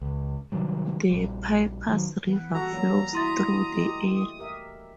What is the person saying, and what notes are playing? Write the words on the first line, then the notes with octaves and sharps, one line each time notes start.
The Pipers River flows through the area.
C#2
C3 D#3 F#3 G3
A#1 G3
D#3 F#3
E3 B3 B4
G3 B3 F#4 A4 A#5
F#3 A#3
G3 E4 F#4 E5 C6 D#6 A6
A3 G4 D#5
G4 A#4 E5